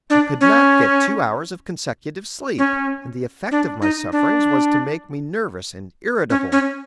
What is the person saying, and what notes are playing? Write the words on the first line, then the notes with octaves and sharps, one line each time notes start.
I could not get two hours of consecutive sleep, and the effect of my sufferings was to make me nervous and irritable.
D4
C#4
C#4
D4
D#4
D4
C#4
C#4